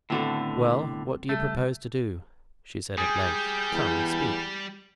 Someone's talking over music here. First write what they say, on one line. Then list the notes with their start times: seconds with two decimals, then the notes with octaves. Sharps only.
"Well, what do you propose to do?" she, said at length; "come, speak."
0.10 A2 D3 D#3 A3 B3 C4 F#4 A4
1.29 C#3 G3 A3
2.98 G3 G#4 G6
3.73 E2